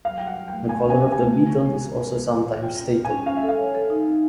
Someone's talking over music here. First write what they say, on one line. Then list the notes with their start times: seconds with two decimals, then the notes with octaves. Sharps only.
The color of the Beetle is also sometimes stated.
0.05 F#3 F5
0.18 F#4 G5
0.27 F#5
0.37 F#3
0.48 G5
0.53 A3
0.69 F#4 G#5
0.86 C#4 G#5
1.01 F#4
1.12 G#5
1.18 A3
1.33 F#4
1.49 C#4
1.66 G#3
1.82 F#4
1.98 A#4
2.14 F#4
2.30 F#4
2.46 F#4
2.62 F4 G5
2.77 C#4
2.94 F4
3.05 G#5
3.10 C#4
3.26 C#4 F5
3.37 E5
3.43 A4
3.49 F5
3.58 C#5
3.75 A4
3.90 D#4
4.07 C4